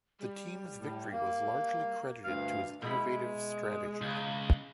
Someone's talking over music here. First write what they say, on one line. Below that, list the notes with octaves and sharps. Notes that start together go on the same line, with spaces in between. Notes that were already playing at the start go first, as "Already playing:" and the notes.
The team's victory was largely credited to his innovative strategy.
G3
A2
A#3
D2 G2 F5
B2 G#3 E4 B5
C#2